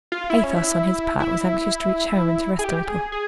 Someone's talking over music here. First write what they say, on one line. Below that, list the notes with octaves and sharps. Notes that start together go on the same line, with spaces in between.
Athos, on his part, was anxious to reach home and to rest a little.
F4
E4
C#4
E4
E4
G#4
G4
G#4
G#4